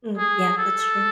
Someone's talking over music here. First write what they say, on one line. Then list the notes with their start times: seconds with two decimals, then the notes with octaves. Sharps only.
Mm, yeah, that's true.
0.17 G#4
0.58 A4